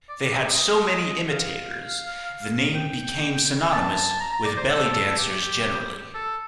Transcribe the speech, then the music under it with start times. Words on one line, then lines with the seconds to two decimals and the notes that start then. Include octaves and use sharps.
They had so many imitators, the name became synonymous with belly dancers generally.
0.09 D5
0.33 D#5
0.40 D5
0.48 D#5
1.30 F5
2.75 G5
3.72 A5
4.20 A#5
4.33 A#5
4.45 D5
4.57 C5
4.69 A4
4.93 A4
5.18 G4
6.14 A4